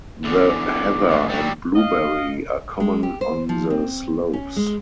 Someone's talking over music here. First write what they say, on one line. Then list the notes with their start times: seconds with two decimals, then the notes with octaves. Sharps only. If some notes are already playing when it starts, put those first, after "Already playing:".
The heather and blueberry are common on the slopes.
0.24 E2 D3
1.08 D2 G#2
1.30 F#3 G3
1.74 D#5 F5
2.80 G#3
3.03 G4
3.21 C5
3.49 F3
3.70 C4
4.33 C#4
4.56 G#3